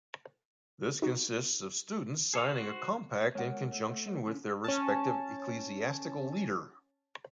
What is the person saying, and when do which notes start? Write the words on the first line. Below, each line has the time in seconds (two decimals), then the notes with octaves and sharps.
This consists of students signing a compact in conjunction with their respective ecclesiastical leader.
1.02 D#4 F#4
2.34 G#4 A4 C#5 F5
2.49 F#4 C5
3.35 G#3 A#4 C#5 F#5
3.72 A3
4.27 D3 F3 C#4
4.64 C#4 A5